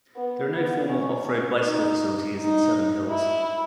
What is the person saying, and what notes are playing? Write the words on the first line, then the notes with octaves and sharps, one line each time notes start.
There are no formal off-road bicycle facilities in Seven Hills.
B3
B3
C#4
D#4
D#4
E4